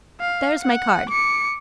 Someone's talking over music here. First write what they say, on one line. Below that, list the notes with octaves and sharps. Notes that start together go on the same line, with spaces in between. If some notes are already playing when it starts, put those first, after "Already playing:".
There's my card.
F5
F#5
D6 C#7